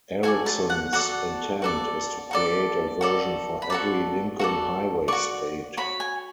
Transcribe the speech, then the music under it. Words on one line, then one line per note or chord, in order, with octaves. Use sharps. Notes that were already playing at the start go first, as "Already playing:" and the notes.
Erickson's intent is to create a version for every Lincoln Highway state.
F#4 A4 D5 G#5
A5
F#5
F#4 A4 D5 F#5
F#4 A4 D5
F#4 A4 D5
F#4 A4 D5
B5
F#4 A4 D5 A5
F#4 A4 D5
F#4 A4 D5 C#6
F#4 C#5 B5
G#5